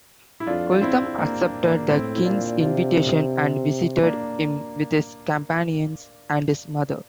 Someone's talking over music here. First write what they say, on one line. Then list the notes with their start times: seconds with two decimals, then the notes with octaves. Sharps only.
Kulthum accepted the king's invitation and visited him with his companions and his mother.
0.40 E4
0.47 F2 D4 F4
0.72 F4
0.82 C4 E4
1.18 A#3 D4
1.41 A#3 D4
1.65 A#3 D4
1.89 A2 C4 E4
2.15 E4
2.24 A#2 D4 F4
2.60 C3 D4 F4
4.03 A#3 D4